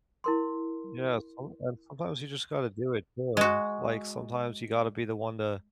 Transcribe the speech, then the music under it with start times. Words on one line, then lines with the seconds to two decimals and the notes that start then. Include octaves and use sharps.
Yeah, sometimes sometimes you just gotta do it too. Like, sometimes you gotta be the one to
0.24 E4 A#4 C6
3.37 G#3 F#4